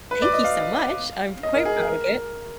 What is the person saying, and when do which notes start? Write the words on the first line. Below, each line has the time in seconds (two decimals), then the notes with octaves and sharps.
thank you so much, I'm quite proud of it.
0.11 B4
0.22 D5
0.33 D#5
0.44 F5
1.43 D#5
1.55 A#4
1.65 G#4
1.77 A#4
1.88 A#4